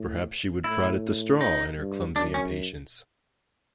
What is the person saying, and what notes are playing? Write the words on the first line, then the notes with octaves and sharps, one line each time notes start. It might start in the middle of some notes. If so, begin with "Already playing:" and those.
Perhaps she would prod at the straw in her clumsy impatience.
Already playing: A2
A2 E4
D#4
G2
F#2 D4
C#4